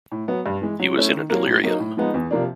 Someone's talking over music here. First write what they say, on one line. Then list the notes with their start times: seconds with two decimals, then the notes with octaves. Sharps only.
He was in a delirium.
0.12 A2
0.28 F#3 B3
0.46 G2
0.61 E3 G#3
0.80 F#3
0.96 A3 C#4 E4
1.13 D#3
1.30 F#3 A#3
1.46 A2
1.64 F#3 A#3 D#4
1.80 A2
1.97 F3 G#3 B3 D#4
2.14 E2
2.31 C3 F3 A#3 D4